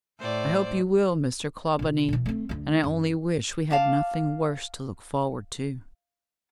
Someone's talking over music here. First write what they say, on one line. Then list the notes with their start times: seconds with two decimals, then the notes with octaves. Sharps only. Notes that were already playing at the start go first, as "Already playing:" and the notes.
"I hope you will, Mr. Clawbonny, and I only wish we had nothing worse to look forward to!"
0.19 A2 C5 D5
1.79 C3 F4
2.09 B2 E3
2.26 A3 C4
2.49 D2 D3
2.83 F#2
3.71 F5 A5 D6